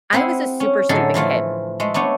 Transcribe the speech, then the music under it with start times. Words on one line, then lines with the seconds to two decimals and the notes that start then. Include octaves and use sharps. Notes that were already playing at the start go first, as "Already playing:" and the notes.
I was a super stupid kid,
0.13 C4 E4 G#4 F5 F#5
0.60 C#4
0.89 A2 D3 F#3 D#4 G#4 A4
1.14 E3 F3 A3 F4
1.80 G#3 A3
1.94 A3 B3 D4 C#5